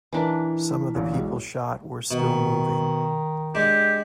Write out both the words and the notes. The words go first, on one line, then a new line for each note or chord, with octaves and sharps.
Some of the people shot were still moving.
E3 D4 D#4 A#4 B4
A1 A#2 D3
B1 G#3
B2 D#3
G#3 D4 G4